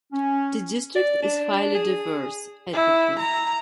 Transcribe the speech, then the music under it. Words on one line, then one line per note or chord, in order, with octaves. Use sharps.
The district is highly diverse ethnically.
C#4
D5
D4
D4
G#4
E4
A#5